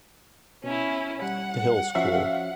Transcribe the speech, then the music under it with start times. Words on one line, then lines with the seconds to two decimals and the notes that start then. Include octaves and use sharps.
The Hill School.
0.64 B2 C#4 E4
1.22 G3 F#5
1.95 F3 C#4 F#4 E5 F5